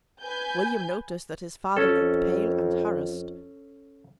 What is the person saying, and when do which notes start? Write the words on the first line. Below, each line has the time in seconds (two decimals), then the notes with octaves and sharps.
William noticed that his father looked pale and harassed.
0.22 B4 G#5 G6
1.77 F2 C#4 A4